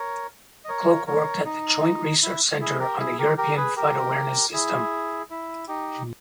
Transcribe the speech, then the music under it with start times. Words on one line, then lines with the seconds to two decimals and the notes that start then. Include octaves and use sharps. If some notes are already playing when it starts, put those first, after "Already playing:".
Cloke worked at the Joint Research Centre on the European Flood Awareness System.
Already playing: A#4 C#5
0.65 D#5
0.69 A#4 C#5
1.07 A#4 C#5
1.45 D#4
2.23 E4
2.61 E4 G#4
2.80 G4 A#4
2.99 E4 G#4
3.19 G4 A#4
3.38 G4 A#4
3.57 G#4 B4
3.76 G4 A#4
4.53 E4 G#4
5.30 E4
5.68 D#4 G4